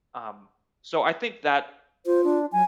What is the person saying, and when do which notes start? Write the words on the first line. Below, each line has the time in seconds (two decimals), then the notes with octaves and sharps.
Um, so, I think that
2.06 F4 C5
2.24 D4
2.52 F#3 G#5